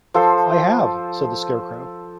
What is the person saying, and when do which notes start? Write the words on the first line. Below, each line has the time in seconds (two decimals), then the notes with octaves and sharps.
"I have," said the Scarecrow.
0.14 F3 A4 C5